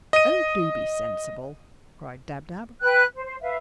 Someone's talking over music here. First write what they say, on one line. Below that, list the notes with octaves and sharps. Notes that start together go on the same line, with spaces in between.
"Oh, do be sensible!" cried Dab-Dab.
D#5 D#7
B4 G5 F#6
C5
C5
B4 E5 F5